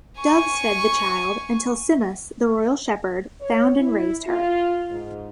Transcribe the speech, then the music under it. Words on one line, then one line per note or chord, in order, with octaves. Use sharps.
Doves fed the child until Simmas, the royal shepherd, found and raised her.
G#5 C#6
C#5
E4
F4
G#2